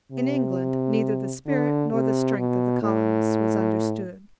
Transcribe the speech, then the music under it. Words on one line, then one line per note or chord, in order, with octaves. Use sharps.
In England neither the spirit nor the strength of the colonists was understood.
C3
D3
C3
B2
A2